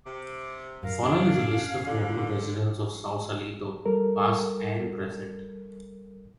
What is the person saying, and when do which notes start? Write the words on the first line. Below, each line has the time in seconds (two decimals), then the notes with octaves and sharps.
The following is a list of notable residents of Sausalito, past and present.
0.05 C3 D6
0.83 F#2 A#4 F5
1.02 C#4 D4
1.87 D3
3.86 G3 A4 A#4